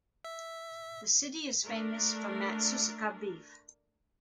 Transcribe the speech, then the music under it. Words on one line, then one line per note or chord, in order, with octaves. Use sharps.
The city is famous for Matsusaka beef.
E5
A3 D4 A#4